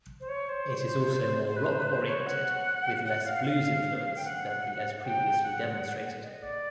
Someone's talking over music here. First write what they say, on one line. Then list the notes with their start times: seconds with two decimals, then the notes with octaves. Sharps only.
It is also more rock-oriented, with less blues influence than he has previously demonstrated.
0.20 C5
0.28 C#5
0.49 C5
0.68 C5
1.47 C5
1.57 B4
1.65 C5
1.79 B4
1.87 C5
2.07 C#5
2.27 F#5
3.05 F#5
3.26 F5
3.46 F5
4.17 G5
4.25 F#5
5.04 G5
5.43 F#5
6.23 D#5
6.43 D5